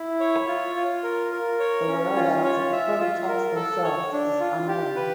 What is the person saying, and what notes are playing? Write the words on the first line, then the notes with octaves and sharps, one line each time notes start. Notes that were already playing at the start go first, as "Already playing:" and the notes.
The whereabouts of the prototypes themselves is unknown.
Already playing: E4
C#5
F4
F4
A#4
A#4
C#5
C#4
F4
C#5
E5
F4
A#4
A4
C#5
D4
F4
G4
B4